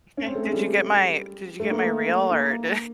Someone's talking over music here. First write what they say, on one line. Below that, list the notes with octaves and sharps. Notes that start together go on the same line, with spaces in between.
Okay. Did you get my did you get my reel or, d
C#4
C4
A3
G#3
G3
A3
A#3
A3
A#3